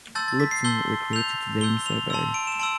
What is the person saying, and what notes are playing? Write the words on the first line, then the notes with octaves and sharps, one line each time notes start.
Lupton retreated to Deim Zubeir.
A5 C6 E6 G6 A6
A6
B6
C7
A5 C6 E6 G6 G7
C6 E6 G6 F7
C6 E6 G6 G7
F7
A5 C6 E6
D7
E7
A5 C6 E6 D7